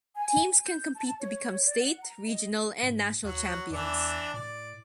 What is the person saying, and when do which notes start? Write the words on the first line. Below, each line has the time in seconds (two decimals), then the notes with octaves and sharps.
Teams can compete to become state, regional, and national champions.
0.15 G#5
0.67 G6
0.95 A5
1.19 C#5
1.66 D5
1.79 F#5
2.02 A#5
2.27 D#5
2.83 G#2
3.25 D#2 F#3 F#4
3.71 E2 E3 D4
4.34 A2 D5